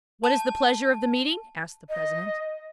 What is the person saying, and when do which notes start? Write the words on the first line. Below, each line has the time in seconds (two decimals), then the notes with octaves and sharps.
"What is the pleasure of the meeting?" asked the president.
0.24 A5
1.88 D#5